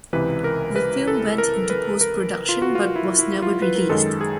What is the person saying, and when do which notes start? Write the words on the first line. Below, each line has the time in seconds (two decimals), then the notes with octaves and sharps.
The film went into post-production but was never released.
0.13 C#2 C3 E3 B4
0.44 A#4
0.76 B4
1.08 A4
1.38 A#4
1.70 B4
2.01 A#4
2.49 F4
2.62 F#4
2.75 F4
2.96 E4
3.19 E4
3.42 F4
3.62 B4
3.76 A#4
3.90 F#2 D#3 G#3 A4
4.21 G#4